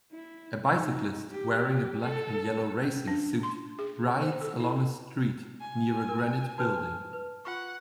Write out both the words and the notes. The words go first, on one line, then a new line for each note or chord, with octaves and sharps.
A bicyclist wearing a black and yellow racing suit rides along a street near a granite building.
E4
D#4
G4
A4
C#4
D4
C6
G#4
C5
A4
E4
G#5
A#4
F#4 B4 C5 A5 F6
B4
F4 F#5 C#6